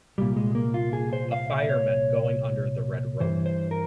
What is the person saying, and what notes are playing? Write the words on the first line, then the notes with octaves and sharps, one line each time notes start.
A fireman going under the red rope.
C2 A#2 G3
G#3
A#3
F4
G#4
C5
F5
E5
C#5
G2 E3 C5
C5
A#4